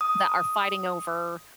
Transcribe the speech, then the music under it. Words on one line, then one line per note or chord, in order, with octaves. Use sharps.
that are fighting over,
D#6